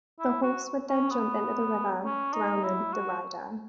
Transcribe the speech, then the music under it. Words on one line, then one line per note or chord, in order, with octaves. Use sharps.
The horse would then jump into the river, drowning the rider.
E4
F#4
C#4
B3
C#4
D#4
E4
F#4